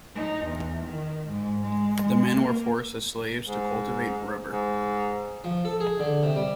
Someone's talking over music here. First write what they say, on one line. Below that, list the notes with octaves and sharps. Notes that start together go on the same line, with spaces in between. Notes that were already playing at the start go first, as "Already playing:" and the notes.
The men were forced as slaves to cultivate rubber.
D#4
E2
D#3
G#2
G#3
G#3
A#3
G#2
G#2
F3
A4
G#4
D3
C3
G3